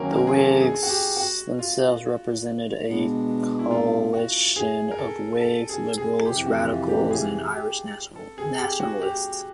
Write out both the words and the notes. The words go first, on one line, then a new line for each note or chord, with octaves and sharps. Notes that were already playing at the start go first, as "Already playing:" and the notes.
The Whigs themselves represented a coalition of Whigs, Liberals, Radicals, and Irish nationalists.
Already playing: D#3 F#3 A#3 C#4 F#4 A#4
A#4
G#4
A4
G#4
F#4
G4
F#4
F4
B2 G#3 B3 D4
E4
F4
F#4
G#4
A#4
A4
A4
G#4
G#4
F2 C3 E3 G4
F#4
F4
G4
G#4
G4
A4
G#4
G4
F#4
G4